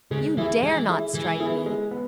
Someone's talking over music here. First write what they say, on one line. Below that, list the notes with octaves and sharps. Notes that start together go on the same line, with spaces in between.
You dare not strike me!
C#3 G#3
E3 E4 G#4 E5
E3 G#3
E4 G#4 E5
E3 G#3
B3 E4 G#4
G#3
B3